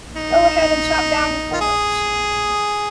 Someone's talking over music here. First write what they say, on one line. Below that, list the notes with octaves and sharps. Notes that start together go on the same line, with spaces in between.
Go ahead and chop down your forests.
D#4
F4
G#4